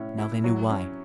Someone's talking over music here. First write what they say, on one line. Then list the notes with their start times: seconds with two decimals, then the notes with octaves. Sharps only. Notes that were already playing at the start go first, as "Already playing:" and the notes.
Now they knew why.
Already playing: A2 C#4
0.18 E4
0.44 F#3
0.70 C#4